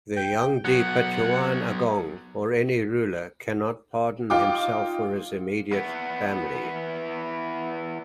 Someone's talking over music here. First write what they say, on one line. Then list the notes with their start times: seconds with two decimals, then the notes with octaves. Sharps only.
The Yang di-Pertuan Agong or any ruler cannot pardon himself or his immediate family.
0.17 G5
0.65 F#3 B3 F#5
4.30 D#4 F4 G5 D6
5.72 E3 B3